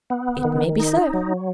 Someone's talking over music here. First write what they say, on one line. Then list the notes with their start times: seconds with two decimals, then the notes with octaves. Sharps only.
It may be so.
0.10 B3
0.45 D#3
0.80 D#4
1.13 F#3